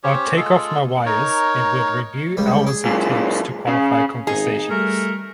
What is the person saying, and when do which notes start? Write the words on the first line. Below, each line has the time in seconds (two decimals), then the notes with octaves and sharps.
I’d take off my wires and we’d review hours of tapes to qualify conversations.
0.03 C#4 G4 C5 C#5
0.36 G#3 F4 G#4 A4
1.06 D#4 A#4 C#5
2.37 C#2 G3
2.67 G#4
2.86 F#2 A#2
3.68 C#3
4.27 G#1 D#4 G#4
4.70 G3 A3 A#4